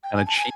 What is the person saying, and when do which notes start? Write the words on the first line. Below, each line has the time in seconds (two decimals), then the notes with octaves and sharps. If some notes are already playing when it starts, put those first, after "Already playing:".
Kinda cheek.
0.04 G5
0.15 G#5
0.26 A5
0.38 G#5